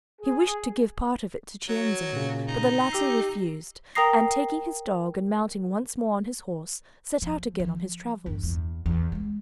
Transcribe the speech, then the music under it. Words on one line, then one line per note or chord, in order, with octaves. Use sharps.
He wished to give part of it to Cienzo, but the latter refused; and taking his dog and mounting once more on his horse set out again on his travels.
G#4
F#3
A#2 C#3
D#4
G4 E6 C7
A#4 G5 A#5 D#6 A#6 C7
F3
F3
G1 E2
E2
E2
G3 G#3